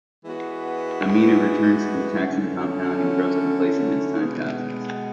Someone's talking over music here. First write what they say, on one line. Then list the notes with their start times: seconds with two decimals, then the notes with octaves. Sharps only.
Amina returns to the taxing compound and grows complacent as time passes.
0.24 E3 G#3 B3 F#4
2.22 D3 F#3 A3 C#4
4.19 B2 G#3 B3